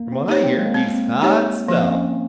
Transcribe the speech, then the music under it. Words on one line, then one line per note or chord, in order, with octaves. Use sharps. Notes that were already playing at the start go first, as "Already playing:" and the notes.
"From what I hear, he's hot stuff!"
Already playing: A#3
C4
D#4 G4 C#5
C4
A#3
G#3
A#3
C4
D#4 G4 C#5
F3 A#3
C4
C#4